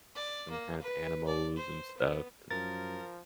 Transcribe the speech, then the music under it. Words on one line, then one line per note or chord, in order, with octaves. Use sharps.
some kind of animals and stuff and
D5
A#3
B4
D5
C5
B3
F#2 F3 A#4 A6